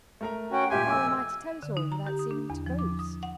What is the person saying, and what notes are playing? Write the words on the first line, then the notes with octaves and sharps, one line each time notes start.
How am I to tell it all without seeming to boast.
A3 A#4 A#5
C#4 F#4 G5
D#1 G4 E5 G#5 C6
F1 D6 E6
D3
D#4
A#5
G4
D#6
D4
E2
F3
D6
D#6
F#5